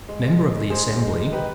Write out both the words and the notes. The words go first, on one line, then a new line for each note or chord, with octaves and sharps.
Member of the Assembly.
G#3
G#3
G#3
G#3
G#3 G#4 C5
D3
G#3
G#3
D#4 G4 B4